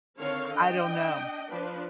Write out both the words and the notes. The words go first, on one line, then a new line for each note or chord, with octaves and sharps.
I don't know.
D3 D#3 C4 A4 C#5 F5
D4 D#5 G5
F3 D4 B4